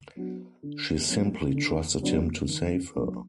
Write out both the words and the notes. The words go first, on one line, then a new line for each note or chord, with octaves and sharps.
She simply trusted him to save her.
F#3 B3 D4 F#4
D3
F#3 B3 D4 F#4
D3
F#3 B3 D4 F#4
D#3
F#3 A#3 D4